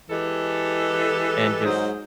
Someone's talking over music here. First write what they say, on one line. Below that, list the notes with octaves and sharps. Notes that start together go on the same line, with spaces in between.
and just
E3 G#3 G4 A4
G#2 F#3 G#3 C5 D#5